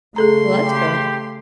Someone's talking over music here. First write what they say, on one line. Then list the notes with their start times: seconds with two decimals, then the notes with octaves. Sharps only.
Well, that's good.
0.16 C#3 A3 G#4 A4 A#5 C6
0.63 G4